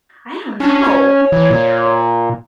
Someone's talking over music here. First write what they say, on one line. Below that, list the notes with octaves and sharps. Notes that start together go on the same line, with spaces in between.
I don't know,
C#4 D4
C#5
E3
A#2